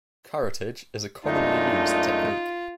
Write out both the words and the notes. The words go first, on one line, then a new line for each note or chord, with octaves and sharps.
Curettage is a commonly used technique.
F#2 G#3 A3 D4 D#4 F4